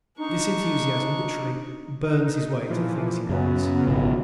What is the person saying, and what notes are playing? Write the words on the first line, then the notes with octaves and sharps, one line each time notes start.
This enthusiasm literally burns his way to the things he wants.
D4 D#4 C#6
D#4
A#2 E3 F3
F#2 C#3 B3
G#1 B2